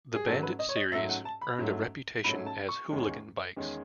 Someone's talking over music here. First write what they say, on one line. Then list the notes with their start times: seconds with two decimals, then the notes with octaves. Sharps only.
The Bandit series earned a reputation as "hooligan bikes".
0.15 G#4
0.26 G#2 F#3 A3 C#4 A4
0.43 B4
0.59 D#5
0.69 C#5
0.76 D#5
0.92 G#2 F#3 A3 C#4 E5
1.09 F#5
1.25 A5
1.42 B5
1.58 G#2 F#3 A3 C#4
2.24 G#2 F#3 A3 C#4 B5
2.46 A5
2.69 C#6
2.90 E2 D#3 G#3 C#4
3.57 E2 D#3 G#3 C#4